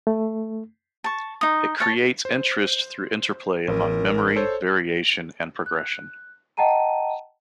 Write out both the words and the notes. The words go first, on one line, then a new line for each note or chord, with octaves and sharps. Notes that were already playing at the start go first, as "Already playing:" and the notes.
It creates interest through interplay among "memory, variation, and progression".
A3
A5 C#6
D#4 D#6
C#5 A5
C5
A1 A#4
A4 C5 C#5
F#6
D#5 F#5 G5 A5 A#5 D#7